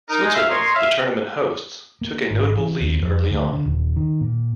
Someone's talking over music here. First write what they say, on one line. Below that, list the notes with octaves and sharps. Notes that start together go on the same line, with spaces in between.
Switzerland, the tournament hosts, took a notable lead early on.
D#4 A#4
G#3 D#4
E5 F5
A#4 C#5 D#5 C6
E5 F5
A#3
G#1
E3
D#2
F2
D2
D3
D#1
D#3
A#2